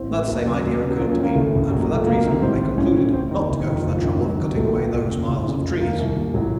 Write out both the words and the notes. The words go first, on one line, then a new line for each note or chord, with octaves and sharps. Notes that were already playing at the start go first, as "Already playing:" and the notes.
That same idea occurred to me, and for that reason I concluded not to go to the trouble of cutting away those miles of trees.
Already playing: A1 C4
A2
D#2 F#3
C#3 F#3
D#2
C#3
F#3
D#2 F3
C#4
D#3
A#3
F#1 A3
F#2 C#3
A#1 F#3
F#3
A#2
A3
C#2 A#3
C3 D#3
A1 C4
A2
A1 C#4
A2
F1 C4
D#2 D#3
F#1
F2 D#3
F#1 F3
F#2 D#3
C#2 F#3
C3 D#3
A#1 A3
A#2
F1
D#2 C#3
F#1
F2 C#3
F1
D#2 D#3 A#3
C2
A#2
A1 F#3